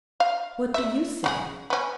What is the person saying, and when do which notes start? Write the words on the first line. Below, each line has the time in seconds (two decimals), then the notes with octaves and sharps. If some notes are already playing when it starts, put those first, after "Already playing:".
What do you say?'
0.20 F5
0.74 E5
1.24 C#3 F#4 G#4
1.70 B3 C#4